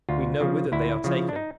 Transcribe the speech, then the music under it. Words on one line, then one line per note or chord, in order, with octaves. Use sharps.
We know whither they are taken!
D2 F4
C#3 F3
D2 E4
C#3 F3
D4
D#4